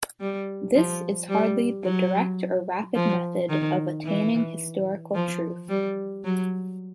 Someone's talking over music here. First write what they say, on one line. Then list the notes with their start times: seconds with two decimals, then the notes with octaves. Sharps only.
This is hardly the direct or rapid method of attaining historical truth.
0.20 G3
0.75 F3
1.29 G3
1.84 F#3
2.95 F3
3.49 D#3
4.05 E3
5.14 F3
5.69 G3
6.24 F#3